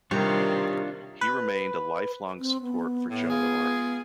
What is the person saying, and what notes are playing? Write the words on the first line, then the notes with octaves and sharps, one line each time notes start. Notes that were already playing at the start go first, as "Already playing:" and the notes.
He remained a lifelong support for Joan of Arc.
C3 D#3 G3 C4 D4 F4 C#5
B4
C4
B3
A2 B3
G#3 F4 G#4